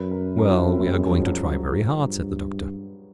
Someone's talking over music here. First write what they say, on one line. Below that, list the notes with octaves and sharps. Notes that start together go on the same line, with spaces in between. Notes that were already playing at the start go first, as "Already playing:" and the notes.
"Well, we are going to try very hard," said the Doctor.
Already playing: F#2 B4
A#4
A#4
E4
C4
A#3
G3
G#3
G3
F3
F#3
F#3
G2